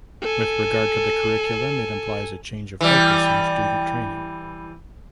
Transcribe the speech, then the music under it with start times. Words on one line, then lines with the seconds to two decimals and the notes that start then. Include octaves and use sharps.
With regard to the curriculum it implies a change of focus in student training.
0.21 A4 G#5
2.81 E3 G3